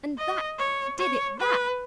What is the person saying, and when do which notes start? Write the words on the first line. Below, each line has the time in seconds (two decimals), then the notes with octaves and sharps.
And THAT did it--that!
0.18 D#5
0.58 C#5
0.98 C#5
1.39 B4